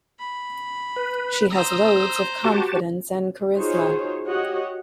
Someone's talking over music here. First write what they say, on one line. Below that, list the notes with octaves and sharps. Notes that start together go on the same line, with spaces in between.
She has loads of confidence and charisma.
B5
B4
C5 A#5 D#6 E6
F#4 G4 A5
D#4 F4 F#4 G#4 C5 C#5
F#4 G4 C#5 D#5 F#5